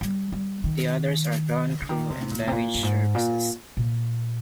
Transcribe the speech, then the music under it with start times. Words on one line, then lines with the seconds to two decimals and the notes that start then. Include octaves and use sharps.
The others are ground crew and baggage services.
0.01 G3
0.32 G3
0.64 D#3
1.82 D3
1.89 D#3
2.10 C3
2.31 A#2
2.48 C3
2.52 A#2
2.74 G2
2.83 G#2
3.15 A#2
3.77 A#2